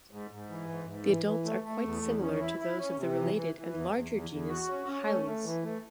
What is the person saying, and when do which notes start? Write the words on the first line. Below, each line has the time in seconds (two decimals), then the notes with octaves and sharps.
The adults are quite similar to those of the related and larger genus "Hyles".
0.11 G#2
0.31 G#2
0.50 E3
0.69 G#2
0.88 G#2
1.07 E3
1.25 E3
1.45 A3
1.63 A3
1.83 E2
2.02 E2
2.21 C#4
2.40 E4
2.59 E4
2.77 C#4
2.97 C3
3.16 E3
3.35 E3
3.54 E3
3.73 E2
3.92 E2
4.12 E2
4.30 E2
4.49 F#4
4.68 C#4
4.87 C#4
5.06 A3
5.25 A3
5.44 E3
5.63 A3